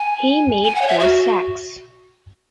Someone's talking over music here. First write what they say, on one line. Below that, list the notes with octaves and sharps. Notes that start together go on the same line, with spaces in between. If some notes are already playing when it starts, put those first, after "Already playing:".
He made four sacks.
Already playing: G#5
G#5
F#5
C#5
E5
F#4